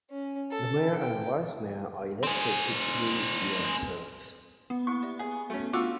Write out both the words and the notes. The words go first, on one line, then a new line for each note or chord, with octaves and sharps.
The mayor and vice mayor are elected to three-year terms.
C#4
A4
G5
C4 G#4
B3
A#3 E4 C#6
G4 D5 E5
G#4
A3 C#4 F#4 A4 C#6
A3 D4 F4 F#4 D6 E6